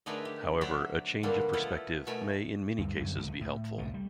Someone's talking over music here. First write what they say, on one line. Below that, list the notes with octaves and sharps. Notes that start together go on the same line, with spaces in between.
However, a change of perspective may in many cases be helpful.
D3 A3 D#4 G#4 A#4 B4
G4
F#3 G4 C5 D5 E5
B2 D3 D#3 F#3 G3 A#3
A3 B3 E4 F4 A4
B2 A3 A#4 E5 G#5
D2 G2 G3
F#2 D3 G3
D1 C#2 C#3 E3
A2
C2 F2 B2 A3
G3